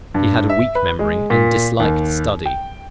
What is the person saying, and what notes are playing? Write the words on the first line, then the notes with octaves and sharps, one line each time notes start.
He had a weak memory, and disliked study.
G2
E5
B4
G#3
A#2
D#2
G5